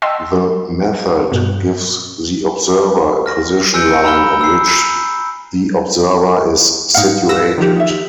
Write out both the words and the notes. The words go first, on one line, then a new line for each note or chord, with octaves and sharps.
The method gives the observer a position line on which the observer is situated.
D#5 F#5 G5 A5 C6 E6
G2 B2
F6 A#6
G#5 E6 F#6 G6 C#7 D7
A#5 B5 E6 F6 G7
E6 C7
G#2 D#4 F5 F#5
B4 E6 A#6
D#3 F3 G4
D#4 F4 E5